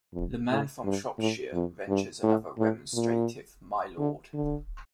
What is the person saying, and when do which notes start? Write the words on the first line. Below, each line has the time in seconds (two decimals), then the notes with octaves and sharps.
The man from Shropshire ventures another remonstrative "My lord!"
0.13 F2
0.49 A2
0.84 G2
1.19 A2
1.53 F2
1.89 G2
2.24 A2
2.59 A2
2.94 A#2
3.99 D3
4.34 D3